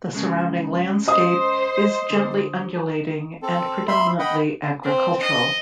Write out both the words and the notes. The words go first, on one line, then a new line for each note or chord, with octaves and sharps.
The surrounding landscape is gently undulating and predominantly agricultural.
C#3 G#3
C5 D#5 D#6
D3
C4 A4
E5 B5 C6
D#5 F#5 G5 B5
C4
D#5